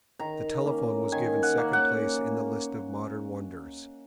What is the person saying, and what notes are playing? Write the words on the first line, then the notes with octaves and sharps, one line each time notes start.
The telephone was given second place in the list of modern wonders.
D#3 A#5
A#3 C#4
D#3 G#5
F#5
A#3 C#4
F#5